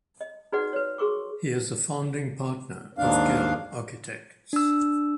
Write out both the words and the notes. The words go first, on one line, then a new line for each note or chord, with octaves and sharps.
He is a founding partner of Gehl Architects.
D#5
D#4 F#4 G#4 B4 D5 F#5
B4 C#5
F#4 G#4 A#4 C#6 D6
D#2 G#2 D4 F5
D4 E6